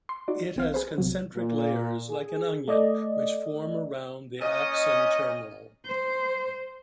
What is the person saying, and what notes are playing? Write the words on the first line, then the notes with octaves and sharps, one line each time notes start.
It has concentric layers like an onion, which form around the axon terminal.
C6
D#4 F#4 D5
B1 C4 F5
G#4 B4 C5
B1 C3 F#3
A#2
G#4
A3 D5 D#5
A#2 C#4 D#5
C5